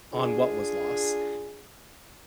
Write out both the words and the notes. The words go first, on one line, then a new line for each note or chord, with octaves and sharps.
on what was lost,
D4 F4 G#4